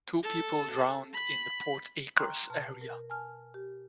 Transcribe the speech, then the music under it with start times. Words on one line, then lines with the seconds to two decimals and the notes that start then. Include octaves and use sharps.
Two people drowned in the Port Acres area.
0.23 A4
1.13 B5
2.17 G5 A#5 C6 C#6 F6 F#6
2.50 B2 A5 F6
2.81 A#4
3.10 G#5 A5 F6
3.54 G4